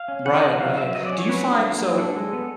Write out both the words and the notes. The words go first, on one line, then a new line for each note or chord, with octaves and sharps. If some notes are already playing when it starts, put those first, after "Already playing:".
Right, right. Do you find so,
Already playing: F5
C#4
E3 F#5
E3 F#5
F#3 F5
F#3 E5
F#3 D#5
D5
C#4
C#5
F#3 B4
D4
A#3
F#3
D4 A4
G#3
B3